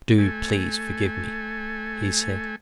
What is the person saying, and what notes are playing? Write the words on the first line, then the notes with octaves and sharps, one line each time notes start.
"Do please forgive me," he said.
A3 G#5